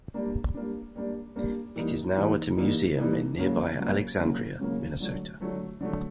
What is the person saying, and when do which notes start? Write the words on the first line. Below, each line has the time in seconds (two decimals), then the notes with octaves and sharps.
It is now at a museum in nearby Alexandria, Minnesota.
0.14 G3 A#3 D4
0.54 G3 A#3 D4
0.95 G3 A#3 D4
1.36 G3 A#3 D4
1.76 E3 G3 A#3 D#4
2.16 E3 G3 A#3 D#4
2.57 E3 G3 A#3 D#4
2.97 E3 G3 A#3 D#4
3.38 C#3 F#3 A#3
3.79 C#3 F#3 A#3
4.19 C#3 F#3 A#3
4.59 C#3 F#3 A#3
5.00 D3 F#3 A3
5.41 D3 F#3 A3
5.81 D3 F#3 A3